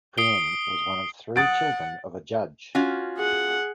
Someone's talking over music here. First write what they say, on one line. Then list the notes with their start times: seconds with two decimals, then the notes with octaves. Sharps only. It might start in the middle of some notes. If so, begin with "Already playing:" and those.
Prien was one of three children of a judge.
0.18 D#6 C7 D7 G7
1.36 F#5 D#6 A6 D7
2.75 C#4 F4 F#4
3.18 G#4 F#5